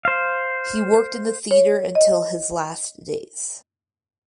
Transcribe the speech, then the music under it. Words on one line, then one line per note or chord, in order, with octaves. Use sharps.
He worked in the theater until his last days.
C5 F5
C#5
D#5